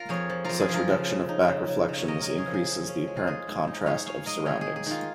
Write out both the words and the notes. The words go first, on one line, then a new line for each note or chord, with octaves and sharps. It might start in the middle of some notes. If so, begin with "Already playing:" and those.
Such reduction of back reflections increases the apparent contrast of surroundings.
Already playing: F4 A#4
F2 G#4 C#5
F3
F2 F4 A#4
G#4
F3
F4 A#4
C#3
C#3
D#4
C#3
C#3
C#3
C#5
C#4 A#4 D#5
C#4 A#4 D#5
G#4 C#5
F3
G#4
F3
C#4
G#3
F4
D#4 G#4
G#2
D#4
D#4 G#4 C#5
G#3 C#5 F5
G#3 A#4 D#5
D#3 G#4 C#5
A#3 G#4
G#4
D#3 F4